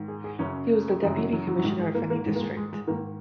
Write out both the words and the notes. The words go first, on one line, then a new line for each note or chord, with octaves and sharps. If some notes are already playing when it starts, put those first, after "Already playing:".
He was the Deputy Commissioner of Feni District.
Already playing: G#2 D#3
G#4
G#4
F#2 C#3 C#4
F#2 C#3 G#3
F#3
F#3
F#3
F#3
G#2 D#3 G#3
G#3
A#3
A#3
G#2 D#3 G#3
A#3
G#3
G#3
G#3
G#2 D#3 A#3